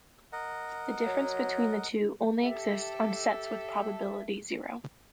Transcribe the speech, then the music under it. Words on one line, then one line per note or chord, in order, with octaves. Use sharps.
The difference between the two only exists on sets with probability zero.
A#4 D#5 F#5
F#3
G4 A4 E5